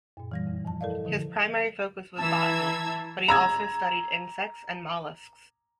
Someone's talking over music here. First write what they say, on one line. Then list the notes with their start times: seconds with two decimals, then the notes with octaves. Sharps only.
His primary focus was botany but he also studied insects and molluscs.
0.17 F#2 A#2
0.31 E3 G3 A#6
0.47 F2
0.65 G2 F3 A5
0.81 E4 A4 A#4 D5 D#5 F5
1.05 D3 F3
2.18 E3 A5 A#5 E6 G#6
3.28 A#5 E6 G#6